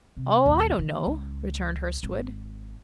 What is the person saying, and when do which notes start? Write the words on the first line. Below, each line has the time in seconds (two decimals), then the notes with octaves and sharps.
"Oh, I don't know," returned Hurstwood.
0.17 C3
0.46 A#1 D#2
0.79 D3 E3
1.07 C#2
2.03 G#1